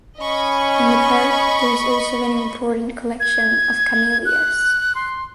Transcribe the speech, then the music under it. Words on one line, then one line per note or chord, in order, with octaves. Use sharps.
In the park there is also an important collection of Camellias.
C#4 D#5 B5 C#6
G#6
F#6
C6